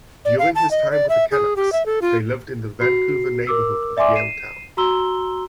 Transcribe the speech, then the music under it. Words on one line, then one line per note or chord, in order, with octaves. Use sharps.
During his time with the Canucks, they lived in the Vancouver neighbourhood of Yaletown.
D5
F5
A5
D#5
D5
E5
G#4
G4
E5
A4
F4
F#4 C7
A#4 D6 E6
D5 E5 G#5 C6 D6
C7 D#7 E7
F#4 A#5 C6 E6 G7